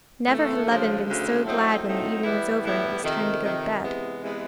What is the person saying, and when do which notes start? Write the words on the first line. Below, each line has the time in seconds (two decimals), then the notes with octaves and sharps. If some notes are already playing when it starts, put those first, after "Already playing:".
Never had Levin been so glad when the evening was over and it was time to go to bed.
0.27 C#3 E3 A3
0.66 D2 C#3 F3
1.05 D2 C#3 F3
1.45 A2 F#3 A3 C4 D#4
1.84 A2 F#3 A3 C4 D#4
2.23 A2 E3 G3 B3 E4
2.63 A2 E3 G3 B3 E4
3.02 F2 C3 D#3
3.42 F2 C3 D#3
3.82 C3 E3 G#3 B3
4.20 C3 E3 G#3 B3